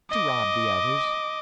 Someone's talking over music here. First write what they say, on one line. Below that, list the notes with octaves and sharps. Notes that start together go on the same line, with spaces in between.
"To rob the others."
D#5 D6